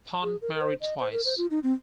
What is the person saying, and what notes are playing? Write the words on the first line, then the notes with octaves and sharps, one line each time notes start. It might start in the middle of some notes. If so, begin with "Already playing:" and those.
Ponet married twice.
G#4
A#4
A#4
C5
D#5
C5
A#4
C5
F4
D#4
C4